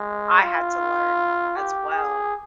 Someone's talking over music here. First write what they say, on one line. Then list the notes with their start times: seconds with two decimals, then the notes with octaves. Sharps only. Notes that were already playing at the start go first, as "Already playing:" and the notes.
I had to learn as well.
Already playing: G#3
0.43 F4
1.57 G4
1.94 G#4